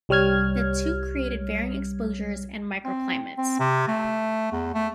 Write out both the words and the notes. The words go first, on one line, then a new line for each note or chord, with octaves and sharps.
The two created varying exposures and microclimates.
C2 G3 C#5 F6 G#6
C4
C4
C3
A3
E2
A3